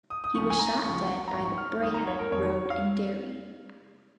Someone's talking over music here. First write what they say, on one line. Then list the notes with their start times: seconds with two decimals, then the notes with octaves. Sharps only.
He was shot dead by the Braehead Road in Derry.
0.10 D#6
0.24 D#6
0.35 C#2 C#3 F3 C#6
0.50 G#5
0.59 A#5
0.84 C#2 C#3 F3 C#6
1.28 A#5
1.33 A#1 G#2 F3 C#6
1.45 C#6
1.58 F6
1.82 G#1 G#2 D#3 D#6
1.94 A#5
2.07 C#5
2.19 A#4
2.31 F1 F2 D#3 C#5
2.70 F5